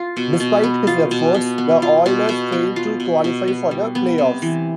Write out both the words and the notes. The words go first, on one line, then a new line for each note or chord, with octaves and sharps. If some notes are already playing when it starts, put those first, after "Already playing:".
Despite his efforts, the Oilers failed to qualify for the playoffs.
Already playing: F4
B2
B2
B3
F4
B2
B2
B3
F4
B2
B2
B3
F4
B2
B2
B3
G3
B3
C3
E3